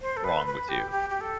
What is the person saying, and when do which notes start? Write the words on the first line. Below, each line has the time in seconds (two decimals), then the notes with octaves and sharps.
wrong with you,
0.01 C5
0.17 A4
0.24 B4
0.46 B4
0.69 G4
0.91 G4
1.10 G4
1.21 A4